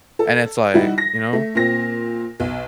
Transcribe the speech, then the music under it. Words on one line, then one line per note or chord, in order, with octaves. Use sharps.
And it's like, you know?
A4
G3 D#4 E4 F#4
A#6
A3
A#2 C4 A#6
B1